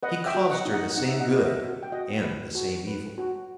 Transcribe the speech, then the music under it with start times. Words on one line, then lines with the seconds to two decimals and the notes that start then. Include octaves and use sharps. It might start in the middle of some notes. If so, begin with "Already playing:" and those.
He caused her the same good and the same evil.
0.03 B4 D#5 F#5
0.26 E5 G5
0.35 F#4
0.50 D#5 F#5
0.65 D#4
0.73 D#5 F#5
0.97 D#4 F#5
1.09 E5
1.20 D#5 F#5
1.29 B4
1.36 D#5
1.45 E5
1.60 F#4
1.83 G5
1.92 F#4 D#5 F#5
2.24 B4
2.55 F#4
2.87 B4
3.18 F#4